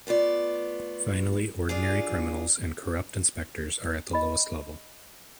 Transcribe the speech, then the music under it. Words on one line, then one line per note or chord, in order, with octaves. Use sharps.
Finally ordinary criminals and corrupt inspectors are at the lowest level.
A3 B3 F4 D5
D4 F4 G#4
D#5 B5